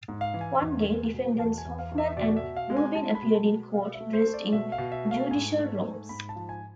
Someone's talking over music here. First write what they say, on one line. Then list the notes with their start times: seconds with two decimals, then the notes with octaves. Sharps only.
One day, defendants Hoffman and Rubin appeared in court dressed in judicial robes.
0.08 G#2
0.21 F5
0.34 E3
0.41 G#5
0.61 E2
0.87 G#3
1.13 B2
1.39 E2 A5
1.58 G#5
1.65 E2
1.79 F5
1.92 E2
1.98 E5
2.17 B2 D5
2.36 E5
2.43 B2
2.57 F5
2.70 G#3
2.77 G#5
2.95 G#3 A5
3.15 B5
3.22 B2
3.35 A5
3.48 G#3
3.74 B2 F5
3.94 E5
4.00 A3
4.13 C5
4.27 A3
4.34 D5
4.53 B2 E5
4.72 F5
4.78 B2
4.92 E5
5.05 A3
5.11 F5
5.31 G#2 G#5
5.57 A3
5.84 G#2
6.09 G#2 B5
6.29 A5
6.36 F3
6.49 G#5